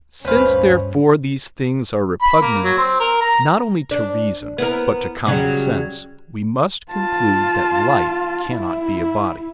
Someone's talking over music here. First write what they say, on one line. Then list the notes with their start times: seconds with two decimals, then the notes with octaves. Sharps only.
Since, therefore, these things are repugnant, not only to reason, but to common sense, we must conclude that light cannot be a body.
0.25 D2 G2 A#2 C#4 B4 C5 F5
2.22 B5
2.41 A#3
2.64 F#3
2.77 C4
3.00 A#4
3.21 A#5
3.91 D4
4.58 B3 E4 A#4
5.27 C#3 F#3 G3
6.92 F4 A5
8.50 E4